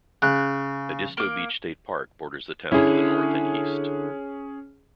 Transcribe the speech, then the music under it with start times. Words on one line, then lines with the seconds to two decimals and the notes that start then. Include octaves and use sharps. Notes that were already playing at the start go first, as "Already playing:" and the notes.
Edisto Beach State Park borders the town to the north and east.
0.22 C#3 F#6
1.17 A#3 D6
2.72 D3 C#4 E4 G#4